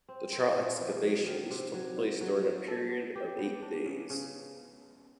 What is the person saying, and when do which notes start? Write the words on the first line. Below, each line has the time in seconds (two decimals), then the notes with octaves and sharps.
The trial excavations took place during a period of eight days.
0.09 C4
0.32 C4
0.56 A#2
0.80 F3
1.03 F#3
1.26 D#3
1.50 C3
1.74 F#3
1.97 E4
2.21 F#3
2.45 B3
2.68 A4
2.91 B3
3.15 G4
3.38 B3
3.62 D4
3.86 C#3
4.10 C#3